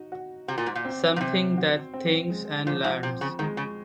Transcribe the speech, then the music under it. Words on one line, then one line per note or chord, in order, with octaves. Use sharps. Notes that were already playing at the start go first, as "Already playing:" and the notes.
Something that thinks and learns.
Already playing: D#4 F#4
F#4
C3 F#4
A#2
G#2
A#2
C4
A#2
C3 C4
F#4
C4
G#3
A#2 F3
G#2
C3 C4
C#3
D#3 G#3
C#3